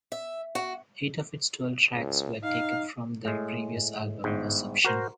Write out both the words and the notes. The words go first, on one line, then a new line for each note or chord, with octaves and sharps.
Eight of its twelve tracks were taken from their previous album, "Perception".
E5
F#4
C#2
D#4 F5
A2 G#3
G1 G#2
F#4 A#4 C5